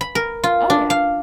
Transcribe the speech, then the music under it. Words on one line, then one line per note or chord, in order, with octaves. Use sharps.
Oh yeah,
B5
A#4
F4
D4
F5